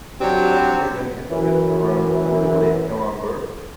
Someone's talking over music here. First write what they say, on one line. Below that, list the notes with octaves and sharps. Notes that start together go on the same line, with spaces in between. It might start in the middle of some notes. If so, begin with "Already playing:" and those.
The first season is set to run until late November.
F#3 C4 D4 F#4 G4
F#2 E3